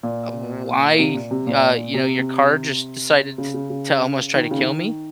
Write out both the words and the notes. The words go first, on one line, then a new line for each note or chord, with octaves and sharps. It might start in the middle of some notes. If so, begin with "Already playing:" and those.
uh, why, uh, you know, your car just decided t to almost try to kill me?"
A#2
C3
A#2
C3
A#2
C3
C3
C#3
C#3
C#3
D#3
C#3
D#3